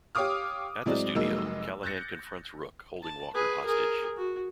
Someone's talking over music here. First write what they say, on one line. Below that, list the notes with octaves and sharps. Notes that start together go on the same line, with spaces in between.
At the studio, Callahan confronts Rook holding Walker hostage.
G4 C#5 F5 D6 D#6 F6
A2 F#3 G#3 C4 D5
F1 F#3 G#3 A#3 D#4 E6
F#6 G6 A6 A#6 C#7
A5
G#4 B4
G#4 A#4
F#4